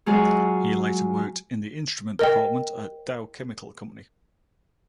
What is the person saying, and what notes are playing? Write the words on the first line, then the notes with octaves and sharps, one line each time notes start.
He later worked in the instrument department at Dow Chemical Company.
F#3 G#3 F4 G#4
A#4 D#5 G5